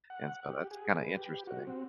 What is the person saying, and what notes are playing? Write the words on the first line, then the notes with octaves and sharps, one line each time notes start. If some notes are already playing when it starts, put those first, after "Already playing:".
And so that's kinda interesting.
F#5
G4
G#4
B4
G4
F#4
C4